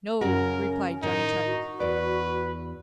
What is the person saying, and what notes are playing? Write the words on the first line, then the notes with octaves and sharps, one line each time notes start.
"No," replied Johnny Chuck.
F#2 C#3 C#4 F#4 A#4
A2 D#3 D#4
F#4
E2 B4 D5